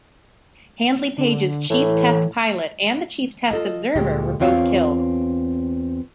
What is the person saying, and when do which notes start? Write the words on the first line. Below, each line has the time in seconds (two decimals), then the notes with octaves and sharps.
Handley Page's chief test pilot and the chief test observer were both killed.
1.18 D3
1.70 A2 E3
3.51 F4 A4 D#5
3.95 D2 A#2 G#3 G4
4.40 E2 C4 F4 C#5 F5